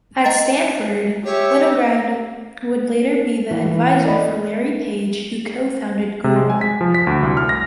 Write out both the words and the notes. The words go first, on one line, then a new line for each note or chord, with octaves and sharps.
At Stanford, Winograd would later be the adviser for Larry Page, who co-founded Google.
D#5 A#5 A6
G4 C#5 E5
E3
E3
D5 D#5 B5
C3
G#3
G#5
B6
F3
B6
D2
C2
F6
A#6